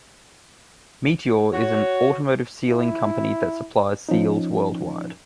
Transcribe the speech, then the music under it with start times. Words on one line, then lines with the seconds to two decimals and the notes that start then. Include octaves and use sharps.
Meteor is an automotive sealing company that supplies seals worldwide.
1.52 F#4 C#5
2.67 E4
4.09 F3 C#4 D#4